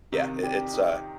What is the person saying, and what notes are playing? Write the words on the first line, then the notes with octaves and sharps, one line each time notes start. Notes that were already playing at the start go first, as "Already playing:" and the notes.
Yeah, it it's, uh,
C3 D#3 D#4
G4 D5
D#4